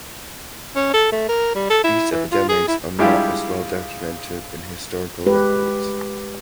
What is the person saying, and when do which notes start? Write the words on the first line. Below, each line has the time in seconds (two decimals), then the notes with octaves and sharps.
These epidemics are not as well documented in historical records.
0.75 C#4
0.93 A4
1.12 A3
1.29 A#4
1.55 G3
1.69 A4
1.84 E4
2.12 E3
2.31 F4
2.49 G#4
2.68 E4
2.99 G3 G#3 D4 E4 F4 G4
5.26 G#3 G4 B4